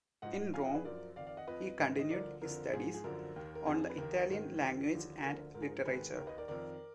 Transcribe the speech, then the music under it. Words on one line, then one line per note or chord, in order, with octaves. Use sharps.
In Rome, he continued his studies on the Italian Language and Literature.
G#2 F3 D#5 F#5
F2 F3 F5 G#5
D#5 F#5
G#4 B4
F#2 F3 A#4 D5
F2 D#3 D5 F5
D5 F5
D#5 F#5
F2 F3 B4 D#5
G#2 D#3
D#5
D2 D3 F3 A#4 D5
F2 D3 F3 A#4
G#2 F3 G#4
G#4
F#2 D3 F3 A#4
D#2 D#3
A#4
F2 F3 G#4
B4
D#2 D#3 A#4
G#2 D#3
F#2 D#3
D#2 D3 F3
D2 D3 F3 A#4
G#2 F3 G#4 A#4
A#4
G#2 D#3 G#4 B4
D#2 D#3 A#4
B4 D#5
A#4 D5
F2 D#3 A#4 D5